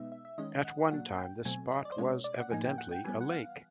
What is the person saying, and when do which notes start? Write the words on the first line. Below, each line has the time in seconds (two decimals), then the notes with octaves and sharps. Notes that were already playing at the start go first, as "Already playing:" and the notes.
At one time this spot was, evidently, a lake.
Already playing: B2 G#3 B3 D#4 E5
0.12 E5
0.25 E5
0.38 D#3 G#3 C#4 D#5
0.65 F#5
0.91 A#2 F#3 A#3 D4 F#5
1.18 G5
1.45 B2 F#3 A3 C4 G#5
1.71 D#5
1.85 D5
1.92 C5
1.98 B2 G#3 C#4 C#5
2.24 D5
2.38 F#5
2.51 A2 F3 A#3 D#4 G#5
2.65 G5
2.78 F#5
2.92 G5
3.04 E3 G3 B3 G#5
3.20 F#5
3.31 F5